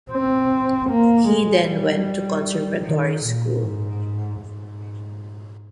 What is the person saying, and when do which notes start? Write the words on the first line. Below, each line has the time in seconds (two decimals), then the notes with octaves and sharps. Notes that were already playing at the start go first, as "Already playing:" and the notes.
He then went to conservatoire School.
0.12 C4
0.89 A#3
1.29 G#3
1.68 G3
2.84 D#3
3.24 A#2
3.62 G#2
4.40 G#2